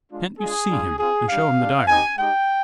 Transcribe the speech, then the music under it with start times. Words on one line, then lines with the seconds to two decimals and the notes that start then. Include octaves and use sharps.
"Can't you see him and show him the diary?"
0.10 G#3 D4 F4
0.39 G#3 D4 F4 G#4
0.69 G3 D4 F4
0.99 C4 F4 G#4
1.28 G3 D4 G4 F5
1.57 G#3 D4 G4
1.87 C4 D#4 G4 G#5
2.16 G#3 D#4 G4 G5